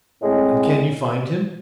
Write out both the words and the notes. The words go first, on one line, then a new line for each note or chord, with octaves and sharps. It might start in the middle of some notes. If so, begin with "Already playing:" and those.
"And can you find him?"
A2 G#3 C4